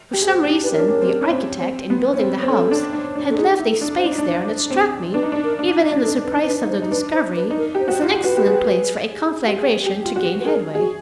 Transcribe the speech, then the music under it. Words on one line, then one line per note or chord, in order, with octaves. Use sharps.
For some reason, the architect, in building the house, had left a space there that struck me, even in the surprise of the discovery, as an excellent place for a conflagration to gain headway.
G4
G#4
G4 C5
D4
B4
C#4 A#4
D4
C#4
C4
C#4
C4
C4
B3
C#4
C4
C4
C#4 A4
D4
D4
D4
D4 A4
D#4 G#4
E4
A4
D4
C5
D4
D#4
D4
C5
C4
D4 B4
D#4
D4
A#4
D4
F4
D4
D#4 A4
B4
D#4
C5
B4
D#4
C5
D#4
D4 B4
C5
B4
D#4
A#4
G4
C5
F#4
F4
F#4 B4
G4
G#4
G4
G#4
G4
F4
F#4
B4
G#4 A#4
F#4 G#4